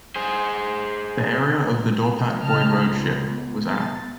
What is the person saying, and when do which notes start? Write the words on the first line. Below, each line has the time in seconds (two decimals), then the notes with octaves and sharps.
The area of the Dorpat Voivodeship was app.
0.16 G#4 C5
2.41 C#3 D#5 A5 F6
2.82 C#2
3.30 B3
3.68 A6